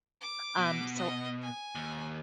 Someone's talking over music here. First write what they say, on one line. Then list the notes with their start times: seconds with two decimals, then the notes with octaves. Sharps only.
um, so
0.21 D6
0.58 B2
0.95 D#5
1.42 G#5
1.75 D#2